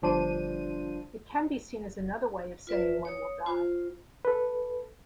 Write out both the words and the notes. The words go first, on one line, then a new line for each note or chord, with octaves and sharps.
It can be seen as another way of saying one will die.
G1 F3 D4 C5 D#7
F4 B4 D5 E5
C#5 D#6
F4 C5
A4 B4